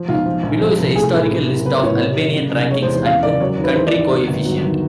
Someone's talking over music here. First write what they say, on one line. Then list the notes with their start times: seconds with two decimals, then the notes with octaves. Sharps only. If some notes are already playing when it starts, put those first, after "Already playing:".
Below is a historical list of Albanian rankings and country coefficient.
Already playing: F3
0.08 B1 F4
0.26 F3
0.43 A#1
0.61 F3
0.78 C2
0.96 A3 G#4
1.14 A2
1.31 C3
1.48 F#1
1.65 B3 B4
1.83 A2 C#5
2.01 C3
2.18 F#1
2.36 C#3
2.53 F1
2.70 G#3 C#5
2.82 C5
2.88 E2
2.94 C5
3.05 C#3 F5
3.23 F#1 D5
3.40 F#3 C#5
3.58 D#2
3.64 B4
3.75 E3 C5
3.87 D5
3.93 G#1
4.10 D#3
4.27 G1
4.45 F#3
4.63 D#2